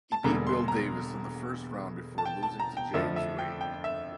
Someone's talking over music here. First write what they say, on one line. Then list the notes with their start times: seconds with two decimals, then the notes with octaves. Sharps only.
He beat Bill Davis in the first round before losing to James Wade.
0.12 A5
0.24 E1 E2 D3 G3 A#3 A#5
0.47 C6
0.68 A#5
2.18 A5
2.26 G5
2.43 A5
2.60 A#5
2.77 G5
2.94 F2 D3 F3 A3 E5
3.16 E5
3.39 G5
3.61 G5
3.84 E5